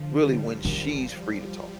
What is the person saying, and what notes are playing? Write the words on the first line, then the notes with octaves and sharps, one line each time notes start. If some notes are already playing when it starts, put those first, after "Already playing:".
really, when she's free to talk.
Already playing: D3 F3
G3
D#3